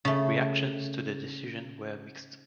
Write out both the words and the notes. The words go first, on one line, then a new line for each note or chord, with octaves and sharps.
Reactions to the decision were mixed.
C#3 A3